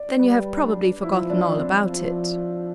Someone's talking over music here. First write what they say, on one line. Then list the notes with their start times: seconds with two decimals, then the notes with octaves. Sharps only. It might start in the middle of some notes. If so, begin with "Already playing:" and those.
"Then you have probably forgotten all about it."
Already playing: D5
0.19 G3 B4
0.61 D4
1.02 F3 E4
1.30 D4
1.57 C4
1.84 F3